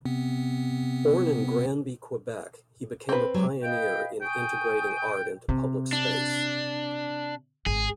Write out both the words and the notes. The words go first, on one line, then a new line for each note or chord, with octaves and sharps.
Born in Granby, Quebec, he became a pioneer in integrating art into public space.
C3 B3 C4
C4 B4
F#3 G#3
B4 D#5 F5 G5
G5 G#5 C#6 D#6
C3
D4
G#1 G#4